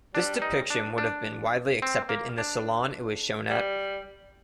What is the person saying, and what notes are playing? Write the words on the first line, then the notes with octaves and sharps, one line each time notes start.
This depiction would have been widely accepted in the Salon it was shown at.
G3 D4
D#4
D4
D4
C4
A#3
D4
G3